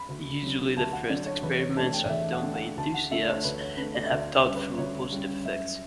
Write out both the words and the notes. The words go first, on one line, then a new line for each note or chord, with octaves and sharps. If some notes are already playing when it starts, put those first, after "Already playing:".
Usually the first experiments are done by enthusiasts and have doubtful positive effects.
Already playing: B5
D2
D3 F#3
D2 A5
F#5
D3 F#3 D5
C#5
E2 B4
C#5
D3 A3 D4 A5
G5
D5
E2 E5
F#5
D3 A3 D4
F#5
D2 A5
F#5
D3 A3 E5
C#5
D2 B4
C#5
D3 A3 B4
D5
E5
D2 D5
C#5
C#3 G3
B4
D2 C#5
C#3 G3
F#2 E5